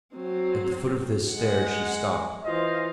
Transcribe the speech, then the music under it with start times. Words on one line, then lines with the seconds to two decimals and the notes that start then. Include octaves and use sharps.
At the foot of this stair she stopped.
0.15 F#3 C4
1.31 G#3 F#5
2.44 E3 F4 C5 D#5